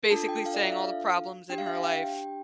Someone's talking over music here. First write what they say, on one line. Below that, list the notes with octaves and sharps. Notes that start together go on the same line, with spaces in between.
basically saying all the problems in her life,
D4 F4 A4 A5
G5
F5
D5
E5
F5
D4 G4 G5
F5
E5
F5
G5